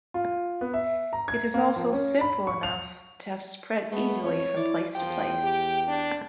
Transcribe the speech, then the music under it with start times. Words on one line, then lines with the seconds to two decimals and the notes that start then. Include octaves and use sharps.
It is also simple enough to have spread easily from place to place.
0.14 F4
0.61 B3
0.73 E5
1.13 A#5
1.28 G#6
1.54 A#3
1.76 F3
1.93 C#4
2.21 B5
2.47 C#6
2.63 F7
3.92 G#3 A3 B3
4.22 F2 C#5
4.57 E4 D5
4.95 E2 F3 G5
5.42 G4
5.87 D4